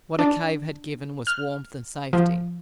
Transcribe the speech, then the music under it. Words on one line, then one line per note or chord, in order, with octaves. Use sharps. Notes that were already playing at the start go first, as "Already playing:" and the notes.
What a cave had given was warmth and safety.
D4
F6
F3